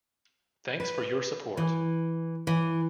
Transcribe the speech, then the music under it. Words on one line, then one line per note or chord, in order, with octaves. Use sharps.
Thanks for your support!
B4
E3
E3